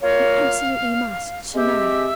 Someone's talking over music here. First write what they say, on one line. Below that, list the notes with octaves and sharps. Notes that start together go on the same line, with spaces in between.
You absolutely must, tonight!
A#3 F4 A#4 C#5 F5
G#3 C4 G4 E5